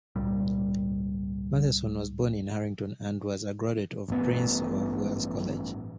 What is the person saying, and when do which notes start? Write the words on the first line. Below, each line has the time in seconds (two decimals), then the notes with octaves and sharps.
Mathieson was born in Harrington and was a graduate of Prince of Wales College.
0.16 G#1 C#2 A#2 G3
4.08 A1 G2 B3